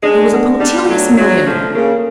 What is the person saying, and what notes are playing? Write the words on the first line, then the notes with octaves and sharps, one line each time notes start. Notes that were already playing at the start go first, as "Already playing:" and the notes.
He was a punctilious millionaire.
G#3 D4
B3
G3 D4
F#3 A3
F#3 A3
F3 A3
C#3 A#3